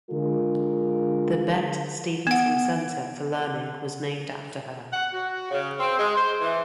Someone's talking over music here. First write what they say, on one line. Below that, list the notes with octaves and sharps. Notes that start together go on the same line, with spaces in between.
The "Bette Stephenson Centre for Learning" was named after her.
D3 G#3 F4 A#4
B3 F#5
F#5
F#4
C#3
C4
G#3
C5
E3